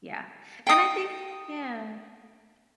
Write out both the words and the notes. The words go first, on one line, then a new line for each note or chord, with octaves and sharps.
Yeah. And I think Yeah.
G5 D#6